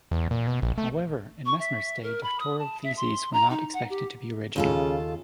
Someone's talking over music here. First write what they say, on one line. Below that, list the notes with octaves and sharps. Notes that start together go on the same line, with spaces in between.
However, in Mesmer's day doctoral theses were not expected to be original.
E2
A#2
B2
A#1
A3
C#6
E5
A#4
B5
D#6
A5
E5
C6
A#5
D#4
F#5
G4
D#2 C#3 F4 A4